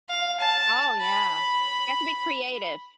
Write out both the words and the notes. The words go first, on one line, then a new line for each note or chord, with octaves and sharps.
Oh, yeah, you have to be creative.
F5
A5
B5